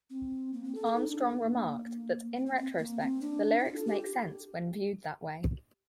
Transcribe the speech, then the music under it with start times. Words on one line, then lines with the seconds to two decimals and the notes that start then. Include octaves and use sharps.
Armstrong remarked that, in retrospect, the lyrics make sense when viewed that way.
0.10 C4
0.53 A#3
0.64 C4
0.75 A4
0.86 A4
0.96 D#4
1.07 D4
1.29 A#3
2.36 C4
2.46 C4
2.57 C4
2.78 A#3
3.00 C4
3.21 D4
3.59 D#4
3.65 F4
3.75 A4
3.86 G4